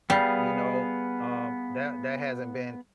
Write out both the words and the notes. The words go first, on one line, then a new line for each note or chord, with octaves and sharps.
you know, um, that that hasn't been
G3 B3 G#4 F5